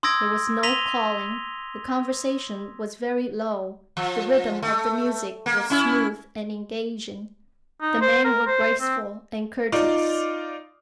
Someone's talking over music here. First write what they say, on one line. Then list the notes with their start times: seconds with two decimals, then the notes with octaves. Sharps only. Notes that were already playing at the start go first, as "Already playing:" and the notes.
There was no calling, the conversation was very low, the rhythm of the music was smooth and engaging, the men were graceful and courteous.
0.03 C6 D#6 E6 G#6 A#6 D7
0.63 C6 A#6 B6 D#7 F7 G7
3.97 F3
4.63 A3
5.46 A#3
5.70 C#4 E4
7.81 D#4
8.01 C5
8.24 A#4
8.47 C5
8.81 C4
9.72 D#4 F4 D5